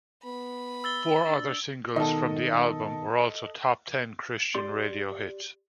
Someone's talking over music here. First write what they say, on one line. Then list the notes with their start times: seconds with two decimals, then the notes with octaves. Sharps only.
Four other singles from the album were also Top Ten Christian radio hits.
0.24 B3 B5
0.84 E6 A6 G7
1.28 D4
1.96 B2 D#3 A4 D#5
4.55 G4 D5 C6